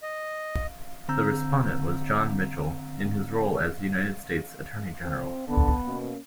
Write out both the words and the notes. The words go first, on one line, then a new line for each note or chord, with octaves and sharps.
The respondent was John Mitchell in his role as United States Attorney General.
D#5
D3 C4 A#5 E6 G6
F2 C4
D3 B3 A5
B2 A#3 C#4